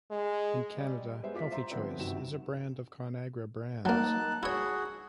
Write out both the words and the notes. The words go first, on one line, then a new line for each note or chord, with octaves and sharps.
In Canada, Healthy Choice is a brand of ConAgra Brands.
G#3
G3
G3 G#3 B3 B4 C5 E5
F4 D6 B6
C5 E5 A#5 C6
D3 F3 G3 B3 C4 D4
G1 C3 D#3 F#4 E7
F#3 A#3 D#4 A5 F#6
E4 F#4 G#4 C#5 F#5